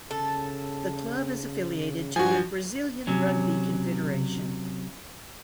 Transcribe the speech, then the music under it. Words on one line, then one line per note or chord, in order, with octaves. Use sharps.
The Club is affiliated to the Brazilian Rugby Confederation.
C#3 A4
G2 F3 F#4 G#5
C3 F#3 C#4